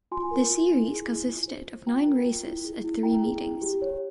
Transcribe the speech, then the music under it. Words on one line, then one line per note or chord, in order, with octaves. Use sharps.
The series consisted of nine races at three meetings.
F4 G#5 C6
A#4
F4
E4
G#4
E4
F4
C5
C5
F4 G5 A#5
A#4
F4
E4
G#4
E4
E4 G5 A#5
G#4
E4
G4
C#5